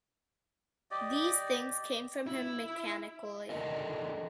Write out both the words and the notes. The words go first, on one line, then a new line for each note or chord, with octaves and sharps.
These things came from him mechanically.
G4 D5 D#5
E4
D4 A4 A#4 D#5 E5